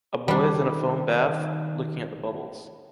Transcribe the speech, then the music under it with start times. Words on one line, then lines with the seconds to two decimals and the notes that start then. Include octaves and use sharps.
A boy is in a foam bath? Looking at the bubbles.
0.28 D#3 G3 D4